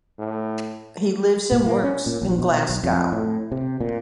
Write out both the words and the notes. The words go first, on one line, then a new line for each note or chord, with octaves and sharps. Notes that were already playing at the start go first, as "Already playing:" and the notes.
He lives and works in Glasgow.
A2
A#2
A#3
C#4
A#2
A#1
B2
B1
F2
A2
C3
A#2